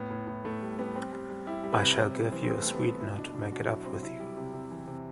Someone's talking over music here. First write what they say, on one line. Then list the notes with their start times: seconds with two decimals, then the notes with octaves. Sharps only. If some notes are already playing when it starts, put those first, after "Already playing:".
I shall give you a sweetener to make it up with you.
Already playing: A2 B3
0.11 A2
0.27 A2
0.44 A2 A3
0.62 G3
0.79 G3 B3
0.95 G3 C4
1.13 G3
1.30 G3
1.47 G3 E4
1.64 G3
1.73 B4
1.80 C3
1.98 G3 C4
2.15 G3 B3
2.32 E3 C4
2.43 C4
2.49 G3 B3
2.62 A3
2.66 G3
2.74 B3
2.83 G3 C4
3.00 B2 E4
3.17 B2 D4
3.34 B2 D4
3.52 B2 F#4
3.68 F#3 E4
3.85 F#3 C4
4.02 C3 E4
4.20 G3
4.37 C3
4.53 C3
4.71 E3
4.88 C3